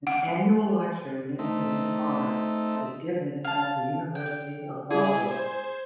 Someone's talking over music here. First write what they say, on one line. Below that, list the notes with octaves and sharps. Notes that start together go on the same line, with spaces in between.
An annual lecture, named in his honor, is given at the University of Oslo.
F#5
A3 C4 D#4 E5
F5 A5
G5
G3 G#3 E4 G#4
C5 G#6